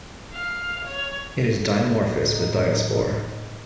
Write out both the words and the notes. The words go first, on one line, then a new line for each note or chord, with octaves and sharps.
It is dimorphous with diaspore.
F5
C#5
A2 D#4